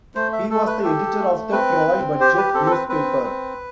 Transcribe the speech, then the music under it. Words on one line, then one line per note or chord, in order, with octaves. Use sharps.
He was the editor of the "Troy Budget" newspaper.
A3 C5
E5
A3 A4
B4
G4 A4
A3
C4 B4
C4
G4 C5
B4
C4 A4
A4
B4
C4 B4
C4